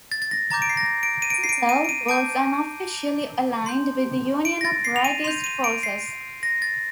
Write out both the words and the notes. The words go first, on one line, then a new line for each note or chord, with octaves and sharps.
Titov was unofficially aligned with the Union of Rightist Forces.
A6
A6
A#6
A#5 D6 G6 A6
D7
C7
A#6
D7
D#7
D7
C7
D7
D#7
D7
D#7
A5 D6 G6 D7
C6 G6
D7
A#6
A6
C7
F7
D#7
C6 G6 F7
D#7
D7
C7
A#6
A6